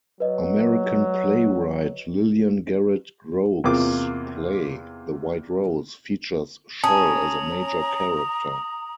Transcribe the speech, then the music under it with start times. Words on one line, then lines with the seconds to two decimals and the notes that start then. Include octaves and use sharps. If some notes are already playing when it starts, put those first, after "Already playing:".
American playwright Lillian Garrett-Groag's play "The White Rose" features Scholl as a major character.
0.20 F#3 B4 D#5
3.64 E2 C3 A#3 C4 F4 D6
6.84 C#4 A5 A#5 D#6